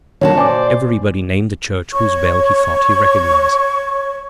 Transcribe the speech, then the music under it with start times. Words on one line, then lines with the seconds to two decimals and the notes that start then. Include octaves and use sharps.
Everybody named the church whose bell he thought he recognized.
0.21 A#2 D3 D#3 C#4 F#4 C#5 A5
0.38 C5 D5 G#5 D6
1.93 C#5 C#6